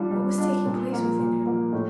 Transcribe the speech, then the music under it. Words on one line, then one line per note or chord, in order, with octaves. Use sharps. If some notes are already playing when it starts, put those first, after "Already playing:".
What was taking place within him?
Already playing: G3 D4 F4
G3
D4 F4
A#2
F3 A#3
A#2
F3 A#3
A2